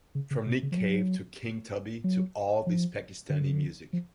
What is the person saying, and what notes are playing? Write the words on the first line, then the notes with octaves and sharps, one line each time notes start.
From Nick Cave to King Tubby to all this Pakistani music.
C#3
C#3
B2
C#3
F3
F#3
F#3
F3
D3
C#3
D3
F3